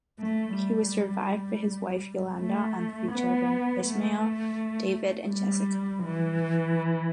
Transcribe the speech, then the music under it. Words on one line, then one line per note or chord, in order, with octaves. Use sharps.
He was survived by his wife Yolanda and three children: Ismael, David, and Jessica.
A3
G3
A3
B3
A3
G3
E3